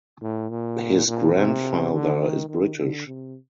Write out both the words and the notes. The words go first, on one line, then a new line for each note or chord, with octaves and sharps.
His grandfather is British.
A2
A#2
A#2
C3
D3
D#3
D#3
D3
C3